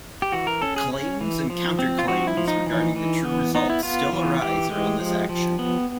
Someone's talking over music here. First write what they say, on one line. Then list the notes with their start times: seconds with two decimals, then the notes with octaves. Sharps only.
Claims and counter-claims regarding the true results still arise around this action.
0.22 G4
0.32 E3 F#4
0.47 A#4
0.62 C#4 A4
0.76 G#4
0.92 C#4
1.21 E3
1.50 F3
1.79 C4
1.99 F4
2.08 F3 F#4
2.27 E4
2.37 F3
2.48 D#4
2.66 E3
2.96 E3
3.25 B3
3.55 B3 D#4
3.70 E4
3.83 B3 F4
4.13 E3
4.42 E3 G4
4.71 G#3
5.00 F3
5.29 F3
5.59 B3